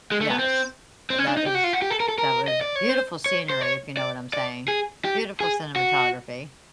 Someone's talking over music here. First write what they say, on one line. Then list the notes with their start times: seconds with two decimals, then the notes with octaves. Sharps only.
Yes, that was that was beautiful scenery, if you know what I'm saying, beautiful cinematography.
0.12 G#3
0.21 A3
0.30 B3
0.39 C4
1.10 C4
1.18 C#4
1.28 D4
1.37 D#4
1.46 G4
1.55 F#4
1.64 F4
1.73 F#4
1.82 G4
1.90 A4
2.00 A#4
2.08 A4
2.18 A#4
2.48 D#5
2.61 D5
2.76 C#5
2.89 C5
3.26 C#5
3.50 C5
3.61 C#5
3.97 D5
4.33 D5
4.68 G#4
5.05 G4
5.40 G#4
5.76 F#4